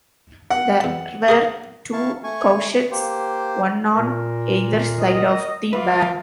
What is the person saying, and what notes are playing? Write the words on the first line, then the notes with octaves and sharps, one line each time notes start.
There were two cowsheds, one on either side of the barn.
F#5
E2 A5
G#4 A#4 D#5
E4 F5 A5 C#6
A3 G#5 C#6
A#3 G4 C5
A#2 A#4
D#5
F4 F#4 B4 E5 D6